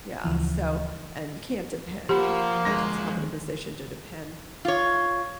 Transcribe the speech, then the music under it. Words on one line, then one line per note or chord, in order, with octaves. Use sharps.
yeah, so and you can't depe y put yourself in a position to depend
D2 C#3 E3 F3
F3 A#3 F4 G4 C5 F#5 B5
G1 G#3 A#6
F4 C#5